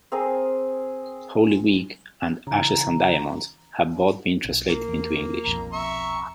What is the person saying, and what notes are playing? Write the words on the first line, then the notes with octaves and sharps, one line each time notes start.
"Holy Week" and "Ashes and Diamonds" have both been translated into English.
C4 G#4 A#4 D#6
C#3 E3 A#5
B1
A#3
E2
D#1 B1 F2 A#5
E5 A#5 C#6